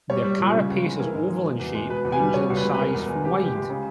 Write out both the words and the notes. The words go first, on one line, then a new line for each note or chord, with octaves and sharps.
Their carapace is oval in shape, ranging in size from wide.
G3 C#5
G3
A#2
C#3
C#2
G#3
E3 A#4
G#2
G#3
B2
E2
G#3
B2 B4
E2
G#5
G3
B2 C#5
C#2
B4
G#3
B4
B2 A#4
E2
G#3
C#3 G4
C#2
G4
G#3
C#3